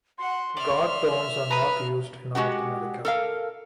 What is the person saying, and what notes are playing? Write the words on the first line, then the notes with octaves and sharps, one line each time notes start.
Guard tones are not used in North America.
F#4 F#5 C6
D5 E5 F6
B4 A#5 B5 D#6
G#3 F#4 G4 F#5
A4 A#4 F5